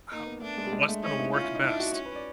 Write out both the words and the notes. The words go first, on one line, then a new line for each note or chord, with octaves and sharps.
How what's gonna work best?
A#3 D#4
B3
A3 D4
G#3
G3
G#3
A3
C#4 D#4
E4
C#4 F4
E4
D#4
D4 E4
F#4
C#4
B4
D5